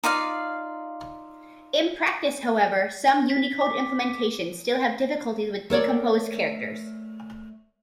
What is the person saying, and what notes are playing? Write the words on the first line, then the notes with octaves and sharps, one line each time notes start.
In practice, however, some Unicode implementations still have difficulties with decomposed characters.
D#4 F4 D5 F5
B6
D6
A3 A#4 C#5 D5